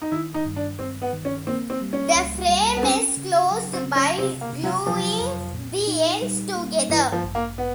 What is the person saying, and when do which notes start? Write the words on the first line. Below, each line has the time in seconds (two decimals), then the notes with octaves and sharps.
The frame is closed by gluing the ends together.
0.02 D#4
0.12 D#3 E4
0.34 D#4
0.45 G2
0.56 D4
0.79 G2 C4
1.02 B3
1.13 D#3
1.25 C#4
1.47 A#3 C4
1.70 C4
1.81 G3
1.93 C#4
2.15 C#2
2.49 G3
2.77 B3
2.83 C4 C#4
3.17 C#3
3.51 F#3
3.73 C4
3.85 C#3
3.96 C#4
4.18 C3 C4
4.41 A#3
4.53 C3
4.63 F#3
4.86 F3 F#3
5.21 F2
5.54 A#2
5.87 D#4
6.22 G3
6.56 A#3
6.89 G2 E3
7.12 F3
7.24 A1
7.35 A#3
7.58 B3